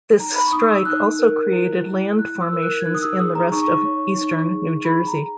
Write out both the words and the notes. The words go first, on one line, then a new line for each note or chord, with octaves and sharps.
This strike also created land formations in the rest of eastern New Jersey.
D#4 A#5
B5
C#6
D#4 D#6
E6
D#4 F#6
A#4
E4
E4
E4 F#6
E6
A#4
F#6
G#6
D#4 F#6
D#6
E6
G#4 D#6
A#5
D#4 C#6
C#5
D#4
G#4
G#4 B5
A#5
G#4